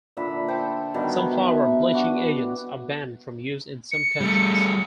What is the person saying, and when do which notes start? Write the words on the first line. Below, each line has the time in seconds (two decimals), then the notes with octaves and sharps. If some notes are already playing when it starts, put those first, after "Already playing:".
Some flour bleaching agents are banned from use in some countries.
0.17 A#2 D3 E5 B5
0.48 A4 C5 G5
0.94 B2 D#3 G3 B3
1.32 E3
1.93 D4 F#4
3.92 C#7
4.21 G3 A3